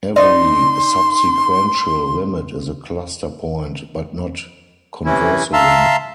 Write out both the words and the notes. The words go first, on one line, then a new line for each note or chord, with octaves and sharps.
Every subsequential limit is a cluster point, but not conversely.
D#4 D5 D#5 C6
C3 E3 C#4 E4
E5 F5 A5 A#5 C6 E6